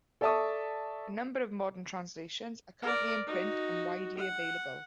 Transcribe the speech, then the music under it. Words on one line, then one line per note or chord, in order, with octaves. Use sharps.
A number of modern translations are currently in print and widely available.
A4 D5 E5 A5 C#6 D#6
A#4 D5
D#4 F#4
F#5